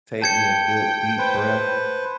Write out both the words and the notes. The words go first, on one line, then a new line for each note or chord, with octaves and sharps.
take me a good deep breath,
G5 A5 G#6 C#7
B4 C5